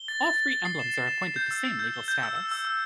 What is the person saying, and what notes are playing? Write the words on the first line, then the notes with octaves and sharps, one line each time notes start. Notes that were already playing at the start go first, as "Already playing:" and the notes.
All three emblems are appointed the same legal status.
Already playing: G7
A6
A6
A6
A6
C7
E7
C7
E7
C7
G6
E6
E6
G6
G7
G6
E6
E6
E6
E6